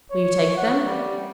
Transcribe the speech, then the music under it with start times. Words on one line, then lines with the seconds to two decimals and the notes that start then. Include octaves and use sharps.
"Will you take them?"
0.11 C#5
0.56 F#5
0.85 G3